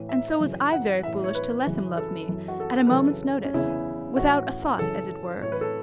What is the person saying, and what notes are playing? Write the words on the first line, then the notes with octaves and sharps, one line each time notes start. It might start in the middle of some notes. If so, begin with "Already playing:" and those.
And so was I very foolish to let him love me, at a moment's notice,--without a thought as it were.
Already playing: A2 E3
E5
F#2 C#3 E3
F#5
A2 E3 E5
E5
C#5
B4
F#2 C#3 E3
A4
F#2 E3
F#4
A4
B4
F#2 C#3 E3 A4
C#4
E2 C#3 E3 E4
A2 E3 F#4
F#2 C#3 E3 A4
A2 E3 C#5
B4
A4